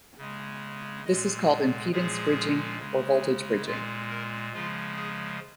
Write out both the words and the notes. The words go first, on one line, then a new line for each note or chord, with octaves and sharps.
This is called impedance bridging or voltage bridging.
C#3 G#3
A#2 G#3 D#5
A#2 F3 G#3 G#4
C#3 G#3
A#2 G#3 F4
A#4
C#3 F3 G#3 F4
G#4